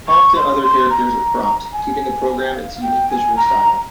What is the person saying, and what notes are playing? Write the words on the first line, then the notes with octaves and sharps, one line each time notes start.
Often other characters are cropped, giving the programme its unique visual style.
C#6
C6
C6
A#5
G#5
F5
F5
G5
G#5
A#5